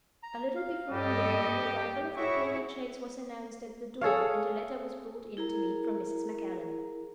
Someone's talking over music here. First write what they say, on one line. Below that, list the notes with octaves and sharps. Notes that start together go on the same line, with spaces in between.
A little before noon the arrival of the pony-chaise was announced at the door, and a letter was brought in to me from Mrs. Macallan.
A#5
F5
G2 G3 G4 A4 D#5
E4 F#4 G#4 C#5 E5 C#6
G#4 A4 C#5 F5
E4 G#4 A#4 A#5